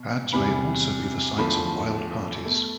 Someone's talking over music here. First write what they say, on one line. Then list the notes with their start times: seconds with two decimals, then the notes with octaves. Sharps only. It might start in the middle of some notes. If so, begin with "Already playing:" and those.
Pads may also be the sites of wild parties.
Already playing: B2
0.33 E2 C3 G3 B5
1.38 E2 D3 F3 A3 B5
2.45 B2 A3